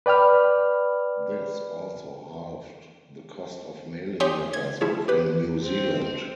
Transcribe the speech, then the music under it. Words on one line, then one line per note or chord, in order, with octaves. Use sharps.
This also halved the cost of mailing letters within New Zealand.
B4 D5 G5 B5 F6
G4 C#5 G5 G#5 C6 D#6
G#6
F3 E4 G#4 C#5
G4 B4
C4